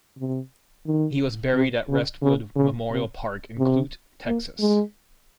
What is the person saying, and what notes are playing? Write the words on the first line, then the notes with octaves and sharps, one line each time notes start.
He was buried at Restwood Memorial Park in Clute, Texas.
C3
D#3
C3
C#3
C#3
C#3
C3
C3
A#3
G#3